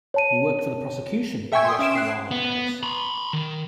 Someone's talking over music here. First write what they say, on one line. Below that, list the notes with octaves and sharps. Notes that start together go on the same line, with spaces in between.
He worked for the prosecution in the Oscar Wilde case.
C#5 A5 D#7
A4 E5 G5 G#5 C#6 G#6
C6 D#6
C#4 E5 D7 E7
F#6 C7 E7
B3
A#5 B5
D#3